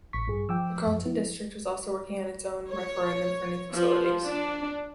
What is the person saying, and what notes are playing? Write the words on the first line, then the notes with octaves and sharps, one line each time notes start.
The Carlton district was also working on its own referendum for new facilities.
A1 C#6 B6
G2 G#4
F3 G5 D6 E6
F#2
E4
C#5
F3
D4